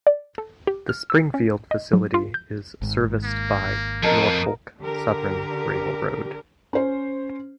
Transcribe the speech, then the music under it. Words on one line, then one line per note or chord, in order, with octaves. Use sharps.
The Springfield facility is serviced by Norfolk Southern Railroad.
D5
A4
G4
F6
E6
C#4
D#5
F#3
F4
G6
G#1 G#2
A#3
F2 A#4 D#5 A5
D3 G4 A#4
C#4 C5